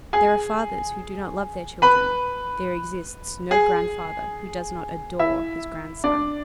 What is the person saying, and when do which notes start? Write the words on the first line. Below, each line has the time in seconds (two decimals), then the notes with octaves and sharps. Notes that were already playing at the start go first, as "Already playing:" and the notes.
There are fathers who do not love their children; there exists no grandfather who does not adore his grandson.
0.13 G#4 G#5
1.82 B4 B5
3.51 G#4 G#5
5.19 E4 E5
6.04 D4 D5